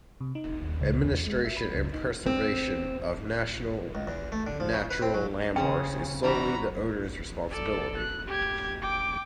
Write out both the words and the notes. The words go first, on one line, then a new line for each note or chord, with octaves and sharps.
Administration and preservation of National Natural Landmarks is solely the owner's responsibility.
C3
D#4
D#2
C#2
E2
G#3
E5
B5
C#2
D#4
C4
C#2
E2
A3
D3
F3
C#3
B4
C4
F#3
C#3 C#4 G#4 C5 G5
E3 G3 D4 F#4 A#5 B5
A4 D5
F#6
G4 G#6
G5 D6